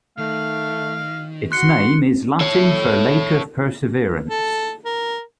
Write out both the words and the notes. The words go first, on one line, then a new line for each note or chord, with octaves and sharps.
Its name is Latin for Lake of Perseverance.
D#3 A3 F5
F#4 C6 F#6 C#7
A4 C#5
A4
A#4